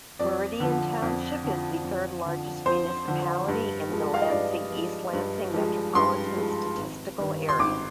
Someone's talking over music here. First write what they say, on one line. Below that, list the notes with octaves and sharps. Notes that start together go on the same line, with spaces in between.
Meridian Township is the third largest municipality in the Lansing-East Lansing Metropolitan Statistical Area.
F2 D5
D3 F3
F2
D3 F3
F2
D3 F3
F2 C5
D3 F3
G2
F3 G#3
F5
D#5
G2 D5
F3 G#3
G2
F3 G#3
G2 C6
F3 G#3
G#1
G2 D#3
C6
G#1 D6